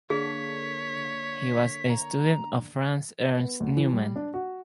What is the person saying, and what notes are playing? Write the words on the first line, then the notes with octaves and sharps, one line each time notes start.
He was a student of Franz Ernst Neumann.
D3 A#3 D4 G#4 C#5 B6
A#5
B3
D2
E3
G3
D4
F#4